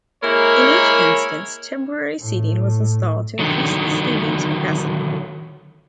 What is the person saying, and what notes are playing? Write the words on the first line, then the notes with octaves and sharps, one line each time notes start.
In each instance, temporary seating was installed to increase the stadium's capacity.
G#3 A#3 E4 A#4 C#5 B5
A2
D3 D#3 F#3